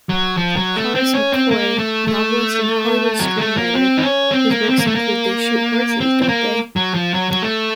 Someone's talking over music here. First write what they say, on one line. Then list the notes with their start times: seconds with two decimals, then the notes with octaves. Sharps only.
Horace McCoy, novelist and Hollywood screenwriter whose works include They Shoot Horses, Don't They?
0.09 F#3
0.37 F3
0.56 F#3
0.76 A3
0.95 C4
1.14 C#4
1.32 C4
1.51 A#3
1.78 A3
2.07 A3
3.20 F#3
3.38 A3
3.57 A#3
3.75 C4
3.97 D#4
4.03 C#4
4.32 C4
4.51 A#3
4.69 C4
4.79 A#3
4.87 A3
4.95 A#3
6.01 C4
6.22 C4
6.29 A#3
6.76 F#3
6.94 F3
7.14 F#3
7.31 F#3
7.42 A3